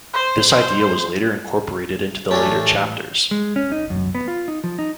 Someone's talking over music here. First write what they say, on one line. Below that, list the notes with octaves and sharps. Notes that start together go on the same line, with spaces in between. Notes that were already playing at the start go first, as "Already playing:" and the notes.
This idea was later incorporated into the later chapters.
C5
C5
A1 A3 C#4 D4 G4 A#4 G#5 A5
G#3
C#4
D#4
F#2
B3
F4
D#4
F3
D#4